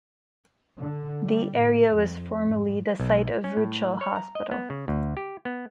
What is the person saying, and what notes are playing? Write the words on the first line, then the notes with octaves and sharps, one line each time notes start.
The area was formerly the site of Ruchill Hospital.
D3
G3
A2
F2
G#2
B1
C#4
A2
C#5
A#5
D#5
B3
C#3
D2
G4
B3